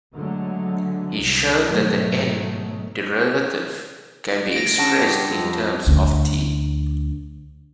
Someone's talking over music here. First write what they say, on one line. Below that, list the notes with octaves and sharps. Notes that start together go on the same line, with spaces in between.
He showed that the "n" derivative can be expressed in terms of "T".
D3 F#3 G#3 A3
C2
G#2 B2 D#3 F#3 G#3 A3
D2 A#6 D7
C#3 F#5 A5 A#6
G2
F2
D2 D4